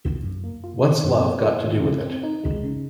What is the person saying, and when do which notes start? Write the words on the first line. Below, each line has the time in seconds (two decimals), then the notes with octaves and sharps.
What's Love Got to Do with It?
0.23 F#2
0.44 A#3
0.64 F4
0.83 D#3
1.04 F#2
1.24 A#3
1.43 F4
1.63 D#3
1.83 C#3
2.03 C4
2.23 D#4
2.44 G#3
2.63 C#3